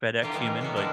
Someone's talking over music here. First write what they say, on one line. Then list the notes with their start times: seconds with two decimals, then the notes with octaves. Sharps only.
FedEx human, but
0.22 D3 G3 A#3 F4 G4 A#4
0.33 D#3 E3 G3 G#3 A#3
0.47 A#4
0.61 F#3 B3 F#4
0.76 D3 G3 G#3 A#3 D4 E4